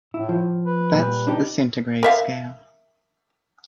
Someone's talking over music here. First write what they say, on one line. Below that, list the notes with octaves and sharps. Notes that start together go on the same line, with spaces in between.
That's the centigrade scale.
A2 E4
F3
B4
A#2 G3
D4 D#4 G4
A#4 E5 F5